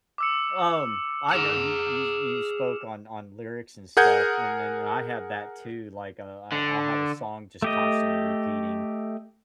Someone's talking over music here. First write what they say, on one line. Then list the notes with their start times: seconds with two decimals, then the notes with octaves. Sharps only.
Um, I know you you you spoke on on lyrics and stuff, and then I have that too, like, uh, I I'll have a song just constantly repeating,
0.18 D6 E6 C#7
1.32 G#4 F#5 F6 E7 F7
3.97 G#4 A#4 F#5 G6 G#6
6.52 D3
7.62 A3 G4 D#5